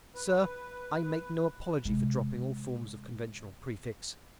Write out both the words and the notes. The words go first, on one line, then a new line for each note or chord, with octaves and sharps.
Sir, I make no apology for dropping all forms of conventional prefix.
B4
C3 G#3